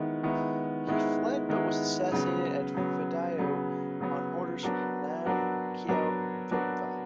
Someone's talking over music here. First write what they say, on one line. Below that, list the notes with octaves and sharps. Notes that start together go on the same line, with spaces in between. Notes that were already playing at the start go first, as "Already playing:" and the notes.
He fled but was assassinated at Phadao on orders from Nang Keo Phimpha.
Already playing: D#3 G#3 B3 E4
D#3 G#3 B3 E4
D#3 G#3 B3 E4
D#3 G#3 B3 E4
C#3 F#3 B3
C#3 F#3 B3
C#3 F#3 B3
C#3 F#3 B3
F#3 B3 D4 F#4 A#4
F#3 B3 D4 F#4 A#4
F#3 B3 D4 F#4 A#4
F#3 B3 D4 F#4 A#4